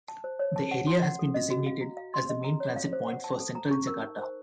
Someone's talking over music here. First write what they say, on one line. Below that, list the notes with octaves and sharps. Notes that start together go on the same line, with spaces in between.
The area has been designated as the main transit point for Central Jakarta.
A5
C5
C#5
A5
F#5
C6
F#5
A4
D#5
F#4
F5
A#5
F5
C6
D#5
A#5
C#5
F5
C5
F#5
A5
A4
A#5
C#6
A#4
D#4
C5